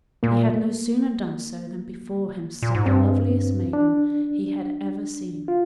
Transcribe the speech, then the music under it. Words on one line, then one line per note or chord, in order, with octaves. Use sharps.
He had no sooner done so than before him stood the loveliest maiden he had ever seen.
A#2 A#3
A#2
G#2
G2 C4
D4
F4